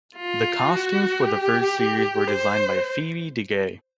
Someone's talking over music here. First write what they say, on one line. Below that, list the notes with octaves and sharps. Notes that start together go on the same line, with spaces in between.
The costumes for the first series were designed by Phoebe De Gaye.
F4
F#4
G4
C5